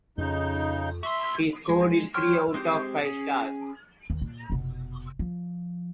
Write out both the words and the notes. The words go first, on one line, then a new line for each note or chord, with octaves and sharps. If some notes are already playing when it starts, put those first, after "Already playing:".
He scored it three out of five stars.
F2 C#3 D#4 G6
F#4 E5 C6
G#3
C#5 G5 C6 C#6 F6
G#3 C4 G4 C5
C#4 G#4
D#2
A#2
F1 B2
F3